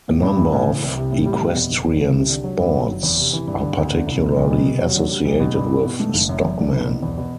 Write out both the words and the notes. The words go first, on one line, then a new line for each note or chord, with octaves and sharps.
A number of equestrian sports are particularly associated with stockmen.
A2
G2
E3
A2
E3
C2
C3
A2
G3
E2
B2
F#1
E2
C2
C3
D3
F#3
G2
F#3
F#1
E2
C3
E3
G2
D3
D2
D3
C2
B2
B1
B2
C3
F#3
D3
G3
B1
B2
G2
E3
B2
A3
F#1
F#2
E2
D3
C2
B2
E2
B2